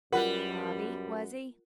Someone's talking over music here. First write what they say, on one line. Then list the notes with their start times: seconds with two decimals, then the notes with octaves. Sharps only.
"Bobby, was he?"
0.13 F#2 G3 F4 A#4 B4 F#5